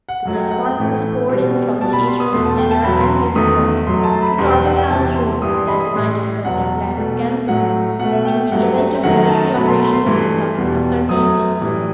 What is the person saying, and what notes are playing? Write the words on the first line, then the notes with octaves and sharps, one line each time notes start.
The correspondents poured in from theatre, dinner, and music-hall to Torpenhow's room that they might discuss their plan of campaign in the event of military operations becoming a certainty.
F#5
F#2 F#3 A3
G5
F#5
G5
A2 E3 A3
B2 G3
B2 G3 A5
B5
C6
D#6
E2 B2 A3 C6
A5
G5
A5
E2 B2 F#3 B5
B5
C6
E2 D#3 A3 D#6
F#2 F#3 A3 C6
A5
B5
E2 B2 G3 C6
G5
F#5
G5
E2 C3 E3 A5
C6
G2 E3 G3 D#6
C6
B5
D#6
A2 G3 C6
E2 B2 F#3 F#5
B2 A3
A2 F#3 A3 F#5
B2 A3 F#5
E5
G5
G2 F#3 A3 F#5
E5
F#2 D#3 F#3 A3 F#5
A5
B2 F#3 A3 B5
C6
B5
C6
G2 E3 A3
E2 B2 G3
F#2 F#3 A3 D#6
A2 E3 G3